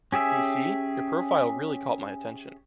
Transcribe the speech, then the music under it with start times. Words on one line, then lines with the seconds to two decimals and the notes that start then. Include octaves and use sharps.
Do you see? Your profile really caught my attention.
0.12 C#4 G4 G#4 E5